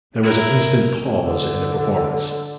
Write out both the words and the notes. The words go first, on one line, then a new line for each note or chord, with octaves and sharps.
There was an instant pause in the performance.
E4 A#4
D3